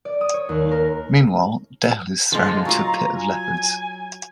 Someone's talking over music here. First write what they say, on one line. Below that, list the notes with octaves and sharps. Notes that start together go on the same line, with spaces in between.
Meanwhile, Dale is thrown into a pit of leopards.
D5
D#6
C#5
D#2
A#4
D3 F3 G#3 F4
F#3 F4 A#5
G#5